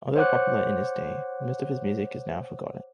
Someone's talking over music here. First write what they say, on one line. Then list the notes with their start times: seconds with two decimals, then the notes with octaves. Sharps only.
Although popular in his day, most of his music is now forgotten.
0.16 C5 C#5 F#5 D6 F#6